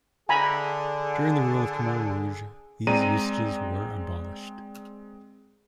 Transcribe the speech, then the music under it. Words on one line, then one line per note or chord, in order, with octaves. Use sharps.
During the rule of the Khmer Rouge, these usages were abolished.
D3 G#4 G#5 A#5 B5
G#3 C4 D5 A#5 D#7